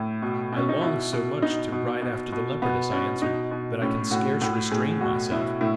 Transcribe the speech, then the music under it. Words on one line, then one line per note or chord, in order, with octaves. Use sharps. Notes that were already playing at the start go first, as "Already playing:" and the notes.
"I long so much to ride after the leopardess," I answered, "that I can scarce restrain myself!"
Already playing: A2 E4
B2
B2 C#4
D#4
B2 E4
B2
B2 D#4
B2
B2
B2
B2 B3
B2 C#4
B2 D#4
B2
A2 C#4
A2 F#4
A2 F#4
A2 G#4
B2 F#4
B2 E4
A2 E4